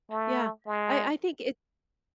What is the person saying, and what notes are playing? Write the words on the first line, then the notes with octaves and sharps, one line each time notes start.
yeah, I I think it's
A3
G#3